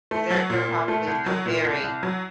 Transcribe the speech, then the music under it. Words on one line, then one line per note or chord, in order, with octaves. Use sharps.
'Cause they're they're probably still very
A3
F#3
A#2
A#2
A3
C2
F#3
A#2
C2
C2
F#3